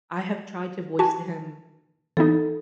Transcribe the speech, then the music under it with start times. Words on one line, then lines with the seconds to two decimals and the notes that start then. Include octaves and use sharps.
I have tried to voice to him
0.99 F#4 G#5 A5
2.17 E3 B3 D#4 A4